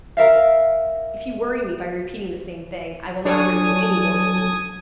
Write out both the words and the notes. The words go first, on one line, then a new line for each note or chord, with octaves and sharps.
"If you worry me by repeating the same thing, I will not bring you any more to eat."
A#4 E5 F5
F#3 D4 A4 C#5 G#5 D#6